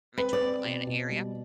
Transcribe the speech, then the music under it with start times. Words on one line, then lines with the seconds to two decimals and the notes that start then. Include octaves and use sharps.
Metro Atlanta area,
0.18 C4 B4
0.33 D5
0.41 C4
0.64 B2
0.87 B2
1.10 G3